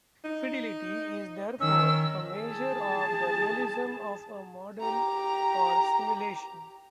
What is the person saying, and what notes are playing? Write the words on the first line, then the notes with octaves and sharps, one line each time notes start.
Fidelity is therefore a measure of the realism of a model or simulation.
D#4
D#3 C#4 E6
G#4 A5
G4 A#5